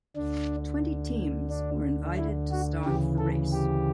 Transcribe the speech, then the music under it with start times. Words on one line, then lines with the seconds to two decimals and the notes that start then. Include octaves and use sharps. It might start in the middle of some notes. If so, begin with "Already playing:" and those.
Twenty teams were invited to start the race.
0.16 D2 D3 D4
1.50 D4
2.17 E4
2.51 F#4
2.85 D2 C#3 E3 G4
3.18 A4
3.52 G4